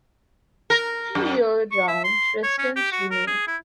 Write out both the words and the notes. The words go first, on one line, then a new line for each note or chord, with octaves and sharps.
Few year round residents remain.
A#4
F#2
C#6
E5
C6
C#5
C#4
G4
F#4
A#4
G#4
E4